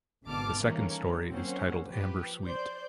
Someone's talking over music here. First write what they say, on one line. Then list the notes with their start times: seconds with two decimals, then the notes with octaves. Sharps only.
The second story is titled Amber Sweet.
0.26 G#1 B2 D3 A5 D6 F6
0.64 D#3 E3 G3 A3 A#3 C#4
1.30 F#3 A#3 C4 C#4 C5 F#5
1.89 F3 G4 B4
2.45 C5 D5 G6